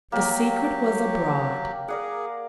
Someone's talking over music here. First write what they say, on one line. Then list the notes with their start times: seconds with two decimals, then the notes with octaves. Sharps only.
The secret was abroad.
0.12 F#3 A#3 G4 G5
1.88 G#4 A#4 D5 F#5